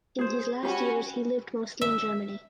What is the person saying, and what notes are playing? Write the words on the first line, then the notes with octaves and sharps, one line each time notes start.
In his last years he lived mostly in Germany.
G#4 C5
C#4 F#4 G4 B5
E5